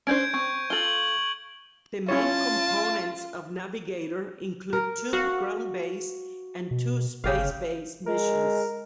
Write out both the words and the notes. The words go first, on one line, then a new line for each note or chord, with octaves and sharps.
The main components of Navigator include two ground-based and two space based missions.
C#4 D4 C5 G6 G#6 D7
C4 C#6
F4 A4 F#7 G7
C#4 E4 F4 C#5 A5
A#4
F#4 F5 F#5
B2
G1 C#3 G4 F5
G#3 A#4